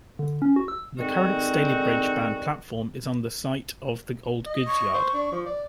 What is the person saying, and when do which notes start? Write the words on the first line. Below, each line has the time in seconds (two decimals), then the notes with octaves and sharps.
The current Stalybridge-bound platform is on the site of the old goods yard.
0.19 D3
0.42 C#4
0.56 F#4
0.68 E6
0.99 G#2 D3 D#3 C4 D#4 F#4
4.46 D#5
4.67 C#6
4.94 C5
5.14 D4
5.32 F3
5.46 D5